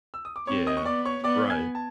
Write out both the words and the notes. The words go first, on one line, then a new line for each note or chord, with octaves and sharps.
Yeah, right.
E6
D#6
D6
C4 C#5 C#6
D#5 D#6
C#6
B3 D5 D6
C#5 C#6
B3 D5 D6
G#5 G#6
A5